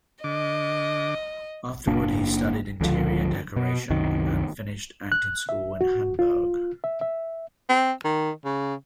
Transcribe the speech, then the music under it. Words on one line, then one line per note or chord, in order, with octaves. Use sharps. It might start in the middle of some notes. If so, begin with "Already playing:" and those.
Afterward, he studied interior decoration and finished acting school in Hamburg.
D3 D#5 D6
F#1 A#3 D4
C#2 D3 D#3 F3
B2
C2 F#2 D#3
F#6
E5
F#4
F4
E5
E5
C4
D#3
C#3